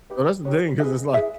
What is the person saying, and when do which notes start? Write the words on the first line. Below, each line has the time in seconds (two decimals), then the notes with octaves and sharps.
well, that's the thing 'cause it's, like
0.10 D#4 G4 B4
0.45 D#4 G4 B4 C#5
0.80 E4 G#4 B4 D#5
1.14 E4 G#4 B4 E5